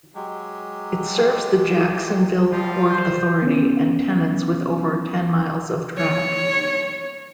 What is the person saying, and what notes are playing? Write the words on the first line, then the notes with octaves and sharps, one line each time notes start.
It serves the Jacksonville Port Authority and tenants with over ten miles of track.
F#3 G#3 G4
F3 G3 F4
C5
B3 C#4
C#5